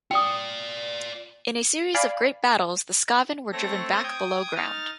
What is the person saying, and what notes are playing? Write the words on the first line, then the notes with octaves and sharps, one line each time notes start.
In a series of great battles the Skaven were driven back below ground.
F4 D5 G5 D#6
D5 F5 G#5 B5
A3 C4 A4 C#5 A#6
G5 D#6 G6 G#6
D#4 F6 A6